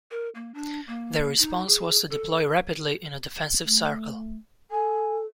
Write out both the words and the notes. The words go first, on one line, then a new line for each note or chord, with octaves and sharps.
Their response was to deploy rapidly in a defensive circle.
A#4
A#3
D4
A#3
D#4
G#4
A4
A3
A4 G#5